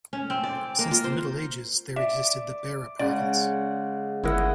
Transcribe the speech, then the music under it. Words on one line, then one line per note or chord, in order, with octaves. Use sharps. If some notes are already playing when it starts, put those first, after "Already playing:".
Since the Middle Ages there existed the Beira Province.
C#4
C4
D5
A#3
F4
C5
D5 E5
C#3 G#3 D5 F#5
G1 E4 A#4 D#5 F#5